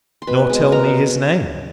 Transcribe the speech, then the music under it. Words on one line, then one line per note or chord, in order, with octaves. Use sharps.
"Nor tell me his name."
C6
B2 B4 B5
G#3 B3
B2 A#4 A#5